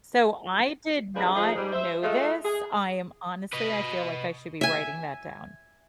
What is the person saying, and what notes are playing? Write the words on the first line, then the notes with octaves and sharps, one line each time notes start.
So, I did not know this. I am honestly I feel like I should be writing that down.
F3 G3 D4 D#4 G#4 B4
F3 D#4 G#4
G#2 G3
C5 E5
G#3 A3 F4
G#4
B4 D#5
E5 G#5